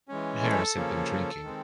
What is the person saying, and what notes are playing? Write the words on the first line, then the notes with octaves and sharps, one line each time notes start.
Harris had been drinking.
E3 G#3 C#4
A4
C#3 F3 A#3 C#4
D#3 G#3 C4